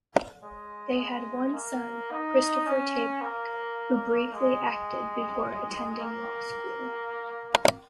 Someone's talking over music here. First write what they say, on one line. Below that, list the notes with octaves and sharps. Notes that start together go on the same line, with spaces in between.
They had one son, Christopher Tayback, who briefly acted before attending law school.
G#3
G#3
A#3
D#4
C#4
A#3
G#3
A#3